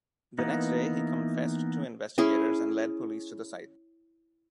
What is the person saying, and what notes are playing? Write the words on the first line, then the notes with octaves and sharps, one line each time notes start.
The next day, he confessed to investigators and led police to the site.
E3 A#3 B3 D#4
C#4 E4 G#4